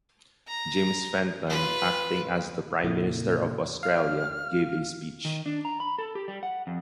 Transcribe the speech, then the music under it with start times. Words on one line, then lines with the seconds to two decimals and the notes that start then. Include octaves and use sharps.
James Fenton acting as the prime minister of Australia gave a speech.
0.48 A#5
1.48 F4 B4
2.84 F2 A#2 C#3 A#3 E4
3.83 F5 F6
5.25 D#3
5.46 D4
5.65 A#5
5.80 B5
5.99 A4
6.15 G4
6.28 G3
6.43 F#5
6.67 F2